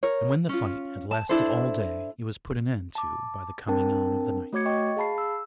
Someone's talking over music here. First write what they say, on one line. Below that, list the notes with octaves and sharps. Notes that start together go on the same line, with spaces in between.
And when the fight had lasted all day, it was put an end to by the coming on of the night.
A#4 C#5
C#4 F4
A5
D4 E4 A4 C5
A5 D6
C4 D4 A#4 G5 A5
A3 F#4 C#5 D6 G#6 C#7
D#5 G5 C#6
G#4 F5 A5 B5 C7
E6